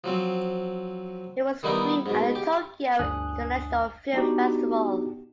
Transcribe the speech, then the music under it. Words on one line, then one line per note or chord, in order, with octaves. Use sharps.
It was screened at the Tokyo International Film Festival.
F3 F#3 C4
D#3 G3 B3 D#4 E4
G#2 B2
G4
G1 D2 D4 G#5 D#6 F#6
B3 D4 D#4 F#4 G4